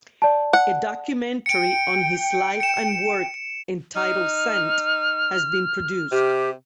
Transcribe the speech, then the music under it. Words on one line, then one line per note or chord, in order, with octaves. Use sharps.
A documentary on his life and work entitled "Sent" has been produced.
D5 A5
F#5
G5 C#7 D7
C#7 E7
D#4 F6
C3 G4